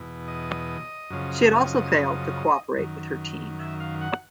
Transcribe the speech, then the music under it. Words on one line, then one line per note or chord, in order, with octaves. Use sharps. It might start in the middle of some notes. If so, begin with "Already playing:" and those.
She had also failed to cooperate with her team.
Already playing: E2 B2
D#5
F#2 C#3 F3
F#2 D#3
E5
F5
F#5